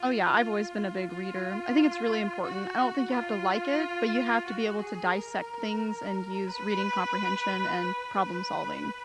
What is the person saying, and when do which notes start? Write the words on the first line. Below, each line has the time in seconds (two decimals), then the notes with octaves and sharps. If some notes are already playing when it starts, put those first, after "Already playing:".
Oh yeah, I've always been a big reader. I think it's really important. I don't think you have to like it, but you have to be able to dissect things and use reading comprehension and problem solving.
Already playing: F4
1.09 F4
2.43 F#4
3.10 F4
4.45 F#4
4.79 G#4
5.12 A#4
6.48 B4
7.81 B4